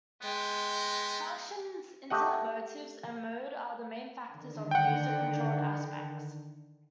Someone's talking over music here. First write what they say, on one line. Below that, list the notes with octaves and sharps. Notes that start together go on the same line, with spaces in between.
Functions, Internet motives and mode are the main factors of user controlled aspects.
G#3 B3 G5
A3 G4 D#5 F#5
D3 D#3
F#5 G5